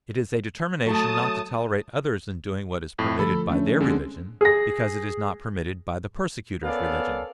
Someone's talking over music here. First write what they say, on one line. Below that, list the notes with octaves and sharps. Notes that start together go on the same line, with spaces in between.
It is a determination not to tolerate others in doing what is permitted by their religion, because it is not permitted by the persecutor's religion.
F#3 A3 A5 D#6
F2 A2
D3 F3 A3 A4 B5
A3 C#4 D4
D3 G#3 C4 G#4
G#4 A#6
B3 C#4 A4 A#4 D5 F5